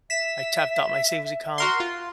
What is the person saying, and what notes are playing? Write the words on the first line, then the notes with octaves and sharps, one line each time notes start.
I tapped out my savings account,
E5 B6 E7
F#4 A#4 C6
F4